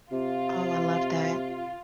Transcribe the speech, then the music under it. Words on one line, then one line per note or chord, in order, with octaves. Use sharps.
Oh, I love that,
C3 F4